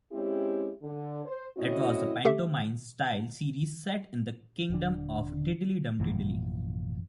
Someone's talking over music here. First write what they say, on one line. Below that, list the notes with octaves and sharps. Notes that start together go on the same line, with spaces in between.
It was a pantomime-style series set in the kingdom of Diddley-Dum-Diddley.
G#3 C4 C#4 E4 G4
D3
C5
A2 C4 C#4 E4 F#4 D#5
A3 G4 A4 E5
D#1 D3
A1 F#2 B2 E3 F3 A#3